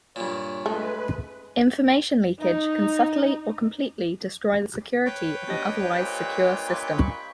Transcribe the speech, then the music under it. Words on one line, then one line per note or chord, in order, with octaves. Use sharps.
Information leakage can subtly or completely destroy the security of an otherwise secure system.
G2 A#2 C#5
G#3 A3 B4
D#4
B4 C#5 G5
D4 G4 D#5
A#2 C5
B5 C#6